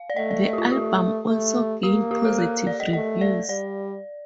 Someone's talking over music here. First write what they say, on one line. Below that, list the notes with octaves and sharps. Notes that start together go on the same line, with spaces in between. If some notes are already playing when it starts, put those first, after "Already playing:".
The album also gained positive reviews.
Already playing: F5
D5
A3 D#5
D5
D#5
G4
F4
A3 G4
A3
A#3 G4
G4
A4
A#4
D5
D#5
A3 D#5
D5
G3 D5